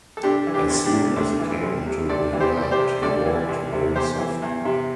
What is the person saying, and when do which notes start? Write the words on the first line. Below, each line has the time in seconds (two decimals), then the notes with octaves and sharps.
As soon as he came into the yard he walked very softly.
0.17 A4
0.23 C2 D4 G4
0.47 E3
0.54 D4 G4
0.70 C2
0.85 D4 G4
0.93 C3
1.16 C2 A3 D4
1.40 E3
1.63 C2
1.86 C3
2.09 C2 A4 D5
2.33 E3
2.40 G4 C5
2.56 C2
2.62 D5
2.71 G4 C5
2.79 C3
3.02 C2 A4 D5
3.26 E3
3.48 C2
3.73 C3
3.95 E2 G4 C5
4.19 E3
4.42 E2
4.65 C3